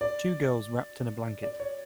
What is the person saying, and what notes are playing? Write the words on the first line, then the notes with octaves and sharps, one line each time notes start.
Two girls wrapped in a blanket.
D5
D5
C#5